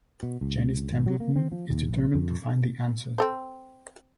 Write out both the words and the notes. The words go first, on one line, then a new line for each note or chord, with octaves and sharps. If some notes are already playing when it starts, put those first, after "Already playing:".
Janice Templeton is determined to find the answer.
B2
C#2
G#1
F#3
A#3
C4
F3
D#2
A#1
F2
C4 A4 C5